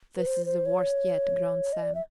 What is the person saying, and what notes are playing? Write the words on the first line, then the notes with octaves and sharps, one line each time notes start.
"This is the worst yet!" groaned Sam.
B4
C5
C5
C#5
D#5
D5
E5